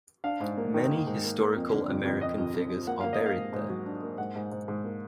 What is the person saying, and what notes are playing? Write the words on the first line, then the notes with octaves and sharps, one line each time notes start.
Many historical American figures are buried there.
D4 F5
G#2
A#3
D#3
A#3
G#2
A#3
A#3
F2
D3
F2
F2
F2 D#5
F2
F2
F3
A#3 F#5
A#3 F5
D#5
A#3
F5
G#2
G#2
F#3
D4
A#3
G#2 F#5
G#2
G#2
G#2
A#3